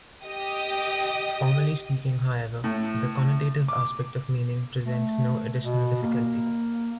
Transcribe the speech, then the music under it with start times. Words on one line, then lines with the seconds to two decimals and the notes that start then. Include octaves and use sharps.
Formally speaking, however, the connotative aspect of meaning presents no additional difficulty.
0.24 G4 D#5 D#6
2.64 A2
3.68 D6
4.84 A3
5.61 B2
6.03 A#3